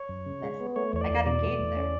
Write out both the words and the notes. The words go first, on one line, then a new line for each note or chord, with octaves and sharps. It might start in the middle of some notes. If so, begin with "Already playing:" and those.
Yes, I got engaged there.
Already playing: C#5
F#2
C#3
G#3
B3
A3 C#5
E2 C#5
D5
E2
B2 D5
A3
E2
C#4